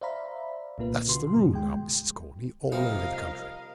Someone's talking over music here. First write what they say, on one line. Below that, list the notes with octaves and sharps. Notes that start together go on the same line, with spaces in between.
That's the rule now, Mrs. Corney, all over the country.
C5 D5 E5 F5 A#5 B5
C2 A#2 A#3 F4 B4
C#3 F#4 C6
G2 B2 D#3 F3
G#3 G5
C3 F3 G3 A#4 D#5 F5